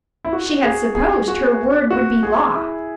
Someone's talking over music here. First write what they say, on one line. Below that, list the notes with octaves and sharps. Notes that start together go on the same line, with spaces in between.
She had supposed her word would be law.
E4
F#4
G#4
G#4
F#4
F#4
G#4
E4